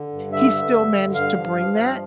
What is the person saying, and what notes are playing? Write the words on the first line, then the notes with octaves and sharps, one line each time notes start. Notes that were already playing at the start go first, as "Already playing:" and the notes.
he still managed to bring that,
Already playing: D3
G2
D3 E5
D3
G2
D3
G2 F5
F3
F3
G2